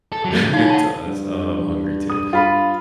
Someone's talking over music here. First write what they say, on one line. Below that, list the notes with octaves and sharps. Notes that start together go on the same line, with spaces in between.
It does, oh, I'm hungry too,
A4
F2 F#3
A2 D3
D#4 C#5 F5
F#5 A5
G2
D#6
G2 F4 B5